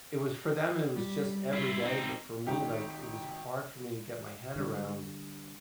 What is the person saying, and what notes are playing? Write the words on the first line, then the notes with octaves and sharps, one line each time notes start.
it was for them it was just every day, but for me, like, it was hard for me to get my head around,
G3
E4 F4
C4 D#4
G#1 D#4 G4
D3 G3 D4